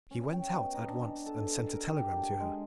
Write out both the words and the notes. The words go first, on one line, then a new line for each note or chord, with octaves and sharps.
He went out at once and sent a telegram to her.
C#4
G5
B2
D#4
D4
A4
A#4
G4
D4
G#3